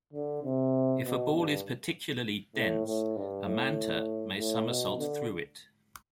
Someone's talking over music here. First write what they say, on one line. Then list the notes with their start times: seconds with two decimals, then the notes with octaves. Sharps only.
If a ball is particularly dense, a manta may somersault through it.
0.13 D3
0.43 C3
1.03 B2
1.34 G2
2.55 A2
2.86 A2
3.16 G2
3.46 A2
4.37 A2
4.67 B2
4.99 D3